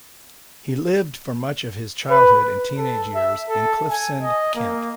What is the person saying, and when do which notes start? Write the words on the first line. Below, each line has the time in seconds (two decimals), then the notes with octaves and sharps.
He lived for much of his childhood and teenage years in Cliffsend, Kent.
2.10 B4
2.78 A4
3.15 E5
3.48 A4
3.90 G#5
4.22 D#5
4.55 A#3